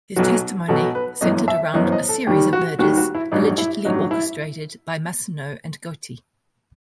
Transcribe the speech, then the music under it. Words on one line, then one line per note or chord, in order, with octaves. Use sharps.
His testimony centered around a series of murders allegedly orchestrated by Massino and Gotti.
B1 B2 F#3 F#4
B1 B2 F#3 A4
B4
G1 F#2 E3 D#5
E5
G1 F#2 E3 D#5
C5
D#5
A4
D#2 D#3 G3 G4
F#4
D#2 D#3 G3 F#4
F#4
E4
A1 G2 F#3 D#4
E4
A1 G2 F#3 D#4
E4